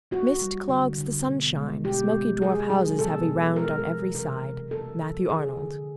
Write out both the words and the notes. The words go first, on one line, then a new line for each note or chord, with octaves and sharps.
'Mist clogs the sunshine, Smoky dwarf houses Have we round on every side.' MATTHEW ARNOLD.
A#3 F#4
G3
D3
D3
B2
G#3
B2 G4
G#3
A#3 G#4
F#3 G#4
B2 A4
B2
G#3 A#4
E3
C3 A#4
C3
A#3 A4
F3
D3 G#4
D3